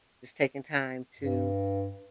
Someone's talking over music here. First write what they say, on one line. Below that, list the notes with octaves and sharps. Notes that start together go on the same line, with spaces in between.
just taking time to,
G2